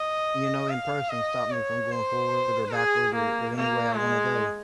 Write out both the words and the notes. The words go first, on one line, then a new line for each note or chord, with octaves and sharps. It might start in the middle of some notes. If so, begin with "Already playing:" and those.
you know, in person, stop me from going forward, or backward, or or any way I wanna go.
Already playing: D#5
F5
D#5
C#5
C5
G#4
A#3
A#3
G#3